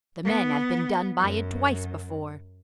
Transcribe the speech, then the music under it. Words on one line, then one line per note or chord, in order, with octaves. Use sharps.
The men have been done by it twice before.
B3
F#2